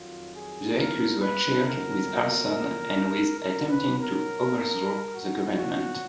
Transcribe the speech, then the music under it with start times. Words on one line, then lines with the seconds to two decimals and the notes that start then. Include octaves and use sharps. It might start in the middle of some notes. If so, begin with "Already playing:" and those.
The accused were charged with arson and with attempting to overthrow the government.
Already playing: F2 D#3 F#3 F4
0.34 G#4
0.78 A#4
1.21 B4
1.65 F2 D#3 F#3 A#4
3.40 B2 F#3 A#4
3.69 B4
3.98 A#4
5.14 A#2 F#3 F#4
5.58 F#4